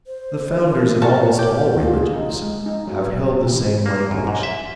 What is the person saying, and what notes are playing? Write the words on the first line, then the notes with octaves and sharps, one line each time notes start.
The founders of almost all religions have held the same language.
C5
A#4
F#4 F5 A5
C#5
G4
F4
G#4
D#4
F3
G#3
D#4
F#3
E3
A#3
F#2
G#2
E5